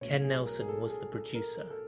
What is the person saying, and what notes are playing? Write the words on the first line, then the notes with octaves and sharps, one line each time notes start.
Ken Nelson was the producer.
B1 A2 F#3 C#5
G#4
A#4
G#4
A4
A4
G#4
A4
A#4
A4